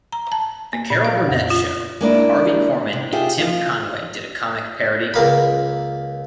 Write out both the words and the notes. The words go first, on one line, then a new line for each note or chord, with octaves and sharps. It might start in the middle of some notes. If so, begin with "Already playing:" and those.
"The Carol Burnett Show" with Harvey Korman and Tim Conway did a comic parody.
A#5
A5
A#3
A#2
F5
F2
F4
G#3 A#3 D4 E4
C3
F4 G4 G#4 E5
F3 F4
C#2 A#3 B5